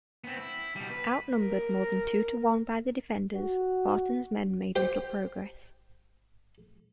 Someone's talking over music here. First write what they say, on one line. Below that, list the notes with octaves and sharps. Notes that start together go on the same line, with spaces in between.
Outnumbered more than two-to-one by the defenders, Barton's men made little progress.
B3 C4
E4
B2 G3
B4
A#4
F#4
G4 C5 G5